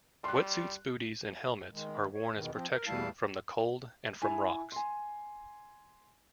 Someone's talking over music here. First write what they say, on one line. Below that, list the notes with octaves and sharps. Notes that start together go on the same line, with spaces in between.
Wetsuits, booties and helmets are worn as protection from the cold and from rocks.
G3 C6 F#6
D#3 G#3
C#5
E2 B2 D#3
F3 C4
A#4
E2 G3 A3 E4 F5 A5
E4 G#5
G#5 C6